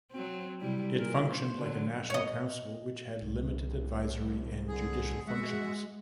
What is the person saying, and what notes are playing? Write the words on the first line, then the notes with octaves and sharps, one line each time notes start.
It functioned like a national council which had limited advisory and judicial functions.
F#3 C4
C3 G3 E4
A#2 A#4
C5
D3 F#3
C#5 D#5
C2
D3 G#4
G#3 F#4 E5 F#5